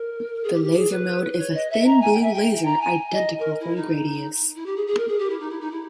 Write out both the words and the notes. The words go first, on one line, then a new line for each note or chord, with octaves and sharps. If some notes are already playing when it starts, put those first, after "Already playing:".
The Laser mode is a thin blue laser, identical from Gradius.
Already playing: A#4
G#4
G4
G4
G#4
B4
C#5
D#5
E5
A#5
G#5
G5
E5
G5
A#5
G#5
D#5
A#4
E4
D#4
E4
G4
G#4
G#4
A#4
G#4
G4
E4
D#4
E4
D#4
E4